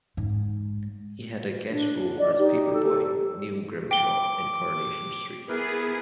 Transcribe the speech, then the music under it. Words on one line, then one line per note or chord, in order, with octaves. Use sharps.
He had a guest role as paperboy Neil Grimshaw in "Coronation Street".
G#2
D4
D5 D#5
D#4 G4
A4
G5 D6 G7
B3 E4 G#4 A#4 B4